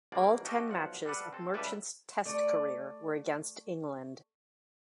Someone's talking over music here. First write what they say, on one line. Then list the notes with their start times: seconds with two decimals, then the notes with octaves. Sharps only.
All ten matches of Merchant's Test career were against England.
0.12 A#1 G#2 B2 A#3 D5
0.45 F#4 G4 A4 D#5 F5
0.68 B1 F3 F#5
1.05 G3 D4 A4 B4 F#5
1.33 C4 A4
1.54 C#2 G3 A4 B4 D5 E5
2.25 A3 D5